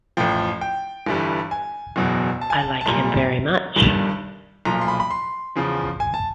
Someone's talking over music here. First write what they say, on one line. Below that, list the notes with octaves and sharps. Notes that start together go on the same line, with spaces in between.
I like him very much.
A1 A2 F3 G5
G5
G1 G2 E3 G3
G#5
F#1 E2 B2 F#3
A5
G#5
A5
A5
B1 A#2 G3 A#5
G1 G2 D#3 G3
B1 A#2 F3 A#5
C6
B5
B5
C6
E2 C#3 F3
G#5
A5